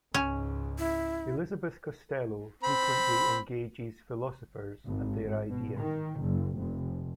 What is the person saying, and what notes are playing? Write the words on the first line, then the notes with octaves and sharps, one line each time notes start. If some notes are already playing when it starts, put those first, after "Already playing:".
Elizabeth Costello frequently engages philosophers and their ideas.
C#2 G#2 C#4
E4
C4 B5
G#1
B2
D#3
F#1
F1